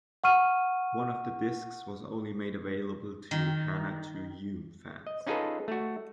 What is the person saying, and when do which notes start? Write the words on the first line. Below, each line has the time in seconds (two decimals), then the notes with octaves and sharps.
One of the discs was only made available to "Hana to Yume" fans.
0.24 F#5 C#6 F6 D#7
3.31 D#3
5.07 D#5
5.27 C#4 D#4 F4 G#4 A4 B4
5.68 A3 F#4